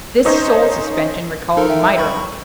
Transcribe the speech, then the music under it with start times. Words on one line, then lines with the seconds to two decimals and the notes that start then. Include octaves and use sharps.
This soul-suspension recalls Maeterlinck.
0.25 C#4 D#4 C5 C#5 D#5
1.57 D#4 A4 A#4
1.68 F4 E5 G5
1.97 B1 G5 B5 C#6